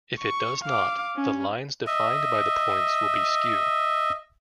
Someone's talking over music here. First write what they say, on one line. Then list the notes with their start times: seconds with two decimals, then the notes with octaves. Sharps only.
If it does not, the lines defined by the points will be skew.
0.19 C#6
0.64 F5 D6
1.16 C#4
1.87 D#5 E5